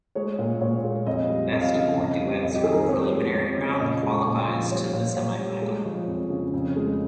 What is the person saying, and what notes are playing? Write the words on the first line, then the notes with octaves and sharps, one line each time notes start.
Best four duets from preliminary round qualifies to the semifinal.
G#3 C#5
A#2
A#2 C#5
G#3
F2 D#5
G3
F2 D#5
F5
D#5
C#3
F2 D#5
G3
F2 D#5
G4
D#3 G#4
A#4
C5
F2 C#5
G#3
F2 C#5
C#3
A#2 D#5
G#3
C#6
A#2
C6
F3
G3 C#5
A#2
A#2 C#5
G3
G#3
F3
F2
C#3
F2
G#3